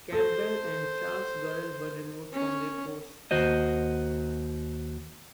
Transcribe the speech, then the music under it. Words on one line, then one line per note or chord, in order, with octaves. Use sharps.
Campbell and Charles Gorrell were removed from their posts.
A4 C5
C#4
D#2 F#4 C5 D#5